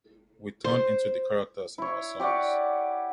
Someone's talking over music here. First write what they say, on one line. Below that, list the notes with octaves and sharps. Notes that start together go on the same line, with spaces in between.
We turned into the characters in our songs.
C5
E4 C#5
G4 C#5 D5 F#5